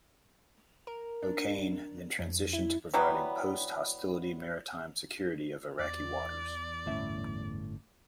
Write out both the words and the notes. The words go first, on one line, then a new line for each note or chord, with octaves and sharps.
"O'Kane" then transitioned to providing post hostility maritime security of Iraqi waters.
A#4
D4
F2
E4
E3 F#3 G3 B3
E2 D5
G1 A2 D3 C#4 E5